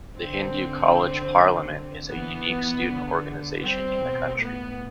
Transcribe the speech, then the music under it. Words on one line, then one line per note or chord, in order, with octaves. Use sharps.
The Hindu College Parliament is a unique student organisation in the country.
D3 C4
E3 B3
D3
G3 C4
B2
A2 B3